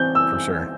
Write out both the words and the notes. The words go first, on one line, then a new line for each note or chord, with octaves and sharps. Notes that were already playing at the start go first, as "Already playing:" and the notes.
For sure.
Already playing: E3 C4 G6
E6